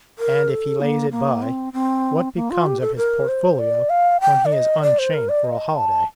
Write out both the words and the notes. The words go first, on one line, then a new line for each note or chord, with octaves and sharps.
And if he lays it by, what becomes of his portfolio when he is unchained for a holiday?
A#4
A4
A#3
A#3
C4
C4
A#3
F4
G4
A4
A#4
C5
D5
F5
G5
D5
D#5
D5
C5
A#4
D5
D#5
A5